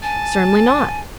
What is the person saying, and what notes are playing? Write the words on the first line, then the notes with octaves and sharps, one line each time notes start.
"Certainly not."
G#5 A5